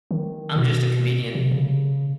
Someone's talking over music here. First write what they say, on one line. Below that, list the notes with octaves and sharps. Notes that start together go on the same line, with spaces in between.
I'm just a comedian.
D#3
B2
C3
C#3